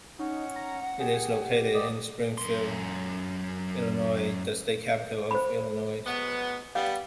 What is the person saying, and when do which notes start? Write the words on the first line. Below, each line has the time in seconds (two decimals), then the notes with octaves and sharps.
It is located in Springfield, Illinois, the state capital of Illinois.
0.19 C#4 D#4 F#5
0.56 A#5
0.99 G4 G#4
1.74 G4 D5 D#5
2.38 F#2 C6
5.31 C5 B5
6.05 F#3 G#3 B3
6.75 G3 B3 F5